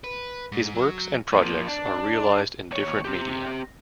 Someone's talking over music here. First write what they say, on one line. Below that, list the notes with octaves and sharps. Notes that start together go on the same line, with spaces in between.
His works and projects are realized in different media.
B4
G#2
F#3
F3 A#3
D4
D#2 C#5
C4 G4